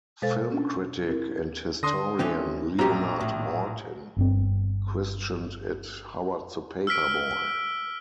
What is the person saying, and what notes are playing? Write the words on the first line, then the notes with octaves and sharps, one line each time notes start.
Film critic and historian Leonard Maltin christened it "Howard the Paperboy".
B2 G#3 A4 C5 F5 A6
C#4 D4
C4 E4 A#4
D3 D4 C6 D#6 A#6
D3 E3 C4 C#4
A#1 A2 C4 F#4 G4 A#5
A2
G1 G2 C4
E6 F6 B6 D7